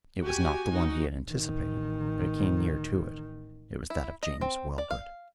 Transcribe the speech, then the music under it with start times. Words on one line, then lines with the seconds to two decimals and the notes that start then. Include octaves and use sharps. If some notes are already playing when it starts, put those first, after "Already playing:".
It was not the one he had anticipated, but it came near to it. It was that of James Wellgood.
0.21 F#4 G4 G#5
0.72 D#4 F#4
1.27 A1 D#3
3.90 E4
4.23 D#5
4.41 C4
4.78 D5
4.91 F5